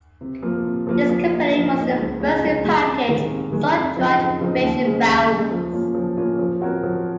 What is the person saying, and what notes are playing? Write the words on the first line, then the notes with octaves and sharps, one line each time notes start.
This company was the first to package salt-dried fish in barrels.
C3
F3 A#3 F4
C3
F3 A#3 F4
F3
A#3 D#4
F3
A#3 D#4
C#2
C#3 G#3 C#4
C#2
C#3 G#3 C#4
C3
D#3 G#3
C3
D#3 G#3
F2
C#3 F3 C4 D#4
F2
C#3 F3 C4 D#4
D#2
C#3 G#3
D#2
C#3 G#3
F3
A#3 C#4 F4
F3
A#3 C#4 F4
F3
C4 F#4 A#4 C#5
F3